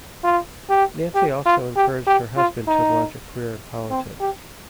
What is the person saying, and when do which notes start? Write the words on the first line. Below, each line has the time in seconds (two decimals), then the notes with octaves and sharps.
Nancy also encouraged her husband to launch a career in politics.
0.24 F4
0.70 G4
1.15 G4
1.46 F4
1.76 G4
2.07 G4
2.37 F4
2.68 D#4
3.90 C4
4.20 G4